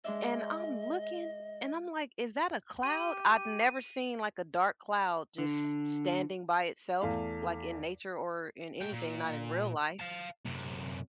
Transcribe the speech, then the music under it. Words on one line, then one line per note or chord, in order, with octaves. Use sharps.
and I'm looking and I'm, like, "Is that a cloud?" I've never seen, like, a dark cloud just s standing by itself, like, in nature or in anything, not in real life.
G#3 D4 D#5 E5
G4 D#7
D3
E2 A3 F5
A2 G5
A#2
F5 A5
F#2 C3